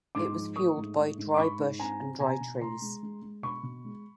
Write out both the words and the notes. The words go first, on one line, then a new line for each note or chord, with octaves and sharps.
It was fueled by dry bush and dry trees.
G#2 C6 D6
F3
A3 C#6 D#6
G#2
A3
G#2
D6
G#2 B5 C#6
G#2
C4 G#5 A#5
C4
B2 G#5 A#5
B2
B2 A#5 C6
G#3
G#3
G#3
B2 B5 C#6
B2
G#3